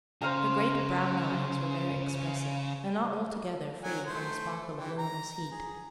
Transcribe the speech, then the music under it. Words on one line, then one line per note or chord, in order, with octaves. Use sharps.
Her great brown eyes were very expressive and not altogether free from a sparkle of luminous heat.
C#3 C5 F5 A#5
D#3 F#3 G#5
A3 C5
E3 G4
A#5
G#4